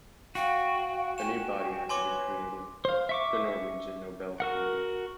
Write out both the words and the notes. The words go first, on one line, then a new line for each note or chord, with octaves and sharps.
A new body had to be created-the Norwegian Nobel Committee.
F#4 F5 G5
G5 G#5 E7
B4 C#5 G#5 C6 D6
C5 F5
E5 C#6 D6
F#4 A#4 F#5